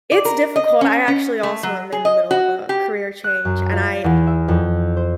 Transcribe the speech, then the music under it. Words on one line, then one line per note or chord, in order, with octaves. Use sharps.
It's difficult, I actually also am in the middle of a career change, and I
D5
A#4
D#5
C#4
C#4
A3
F#3
G#4
D#5
F#4
G4
F#6
F#2
F4
E2
E5
F2
C5